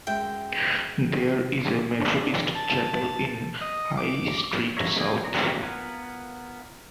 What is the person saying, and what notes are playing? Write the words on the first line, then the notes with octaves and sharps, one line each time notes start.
There is a Methodist chapel in High Street South.
F#2 G#3 E5 G5
C4 D4
A5
D#5
D6
C#5 D5 E5 A#5
C4 D5 D#5 G5 G#5
D#3 C4 F#4 D5 A#5
B3 F4 A#4 F#5 G#5